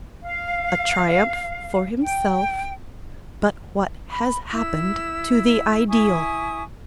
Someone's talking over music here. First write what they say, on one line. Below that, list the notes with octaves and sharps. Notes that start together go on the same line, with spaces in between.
A triumph for himself, but what has happened to the ideal?
F5
G5
B5
E4 E6
E4 G#5 C#6 D#6